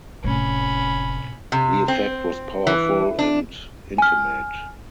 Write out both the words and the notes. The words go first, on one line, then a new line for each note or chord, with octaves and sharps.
The effect was powerful and intimate.
F1 A2 C3 C#4 B5
C3
C4
E3
D4
G#5 F6